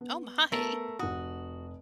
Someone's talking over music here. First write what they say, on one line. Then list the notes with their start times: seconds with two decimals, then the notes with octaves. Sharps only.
Oh my!
0.01 B3
0.52 A3 B3 A#4
0.99 F1 F#4 D#6